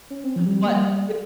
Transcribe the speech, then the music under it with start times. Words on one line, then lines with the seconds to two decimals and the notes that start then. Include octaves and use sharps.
but i
0.10 C#4
0.24 C4
0.36 F3
0.46 G3
0.57 G3
0.66 A#3
0.76 G3